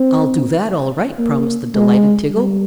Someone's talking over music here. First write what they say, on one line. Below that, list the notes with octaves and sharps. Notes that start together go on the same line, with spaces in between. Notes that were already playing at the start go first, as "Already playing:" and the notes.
"I'll do that, all right," promised the delighted Tiggle.
Already playing: C4
A#3
G#3
G3